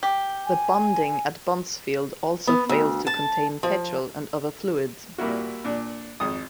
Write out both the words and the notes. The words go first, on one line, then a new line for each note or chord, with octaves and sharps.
The bunding at Buncefield also failed to contain petrol and other fluids.
G4
G#5
B3
D2
A5
F3
A#2 G3 A#3 E4 F#4
A#2 D4
G#1 F2 D#6